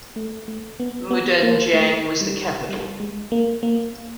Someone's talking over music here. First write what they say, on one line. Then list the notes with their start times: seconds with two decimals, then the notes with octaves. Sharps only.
Mudanjiang was the capital.
0.16 A3
0.48 A3
0.80 B3
1.11 B3
1.43 A#3
1.73 A3
2.21 G3
2.69 G3
3.00 G#3
3.32 A#3
3.63 A#3